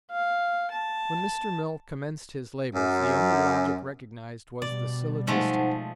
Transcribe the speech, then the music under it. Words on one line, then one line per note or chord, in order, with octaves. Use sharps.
When Mr. Mill commenced his labors, the only logic recognized was the syllogistic.
F5
A5
F#2
B2 G3 D5
F3 G#3 A3 D#4 C5 F#5